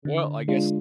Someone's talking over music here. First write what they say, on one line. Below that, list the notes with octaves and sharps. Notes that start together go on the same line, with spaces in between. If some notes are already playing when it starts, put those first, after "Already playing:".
Well, I guess
D3
G#3 D4 F4